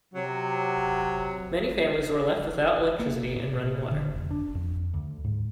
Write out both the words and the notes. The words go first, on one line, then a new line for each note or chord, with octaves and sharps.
Many families were left without electricity and running water.
C3 F#3
A#3
A#2
D3
F1
D4
F2
D2
G#2